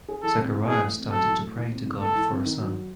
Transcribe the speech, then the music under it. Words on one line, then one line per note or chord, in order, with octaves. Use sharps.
Zechariah started to pray to God for a son.
G#4
E3 A4
C4
E4
E3 G#4
A3
C4
F#2 A4
E3
A3
E3
C4
G#2
G#2 A4
E3
C4
D#3
F#3